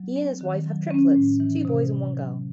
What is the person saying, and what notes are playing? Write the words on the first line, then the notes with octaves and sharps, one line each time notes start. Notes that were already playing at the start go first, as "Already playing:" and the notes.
He and his wife have triplets; two boys and one girl.
Already playing: F#3
C4
D#3
F#3
C#4
A2
E3
C3
C3
F#3